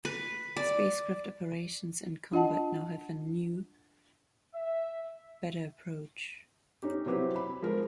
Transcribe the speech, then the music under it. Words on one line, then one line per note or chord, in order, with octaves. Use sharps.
Spacecraft operations and combat now have an new better approach.
B4
D5
D4 F4 D#5 F#5 A5
E5
C#4 D#4 G4
C3 F#3 C4 E4 G4 B4
B5
F3 G#3 A#4